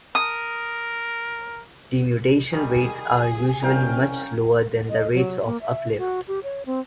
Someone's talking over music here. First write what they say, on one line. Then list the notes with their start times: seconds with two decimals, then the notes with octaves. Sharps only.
Denudation rates are usually much lower than the rates of uplift.
0.15 A#4 D#6
2.53 D#3 G3 G#4
3.63 C2 C#4 A#4 F5 G5
4.90 D#5
5.14 F#3
5.46 A#3
5.62 E5
5.98 F#4
6.28 G4
6.43 C#5
6.66 C4